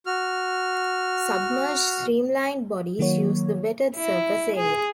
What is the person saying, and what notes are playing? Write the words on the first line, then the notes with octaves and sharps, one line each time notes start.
Submerged streamlined bodies use the wetted surface area.
F#4 F6
D#3 F#3 A#3 F#4 C#5
E4
G#4